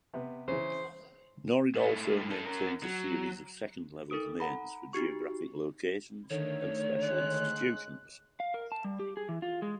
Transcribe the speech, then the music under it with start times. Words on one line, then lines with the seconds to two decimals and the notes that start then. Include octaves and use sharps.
Norid also maintains a series of second-level domains for geographic locations and special institutions.
0.14 C3 B3
0.48 C#3 E3 C5
1.75 G#2 A3
2.31 C#4 A4
2.46 C#4 A#4
2.83 F#3
4.10 D#4 A4 A#4 D#6 D7
4.40 F#5 A#5 B5
4.93 D#4 F#4 G4 C#6
6.30 D3 D#3 A3 C#5
7.03 G#3 F#6
8.40 F5
8.54 A#4
8.72 A5
8.84 G3
8.99 G4
9.17 G#4
9.29 E3
9.42 F4
9.62 G#3